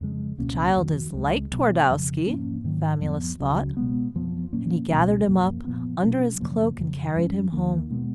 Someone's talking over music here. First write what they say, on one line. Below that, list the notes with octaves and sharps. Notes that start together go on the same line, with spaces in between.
"The child is like Twardowski," Famulus thought, and he gathered him up under his cloak and carried him home.
F2 C#3 F3 G#3
C#2 B2 A#3 C#4
F2 D#3 F#3
C#2 C#3 G#3
B2 F#3 B3
F2 C#3 F3
G#2 F3 A#3 C#4
G#2 D#3 F#3
F2 F3 B3
C#2 C#3 F#3
B2 G#3 B3
F2 F3 B3
A#2 F#3 A#3 C#4
C#2 B2 F#3 C#4
F#2 F3 A#3
A#2 F3 B3
B2 F#3 C#4
F#2 C#3 F3 A#3
F2 C#3 F#3
F#2 F3 G#3 C#4
D#2 D#3 A#3
B2 G#3 B3